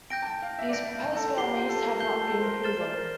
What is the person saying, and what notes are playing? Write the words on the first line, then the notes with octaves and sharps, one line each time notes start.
These proposed families have not been proven.
G5 G6 A#6 D7
A5
G5
F5
E5
D5
E5 G6 A#6 D7
E5
F5
A4
G4 G6 C7 G7
F4
A4
A#4
A4 G6 C7 G7
A4
C5
A#4
C5 F6 A6 E7 G7
D5
A#4